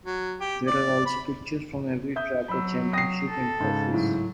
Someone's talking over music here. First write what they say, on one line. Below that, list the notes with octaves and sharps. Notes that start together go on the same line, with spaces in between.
There are also pictures from every Trapper championship and trophies.
F#3
G4
D5
B5
E5 D#6 G6
F#3 B5 E6
G5 D#6 A#6 C7
A4
G#2 C#3
A2 F#3